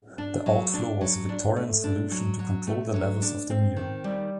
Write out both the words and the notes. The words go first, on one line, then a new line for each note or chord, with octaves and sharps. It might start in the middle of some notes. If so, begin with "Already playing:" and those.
The outflow was a Victorian solution to control the levels of the mere.
D4
F#3
D4
F#3
D4
A3
D4
F#3
F#3
A3
F#3
D4
C4
D#3
G3